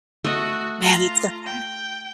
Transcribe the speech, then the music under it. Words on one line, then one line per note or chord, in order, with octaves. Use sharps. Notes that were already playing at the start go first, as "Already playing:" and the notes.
Man, it's different.
A3 F#4 D#5
F4 A#5
G5